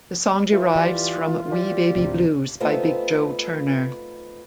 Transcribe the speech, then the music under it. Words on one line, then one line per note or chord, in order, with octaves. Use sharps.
The song derives from "Wee Baby Blues" by Big Joe Turner.
E3 F4
E3 G3
G3
D2 A2 C3
A3 B3 C4 D#4 F4 C5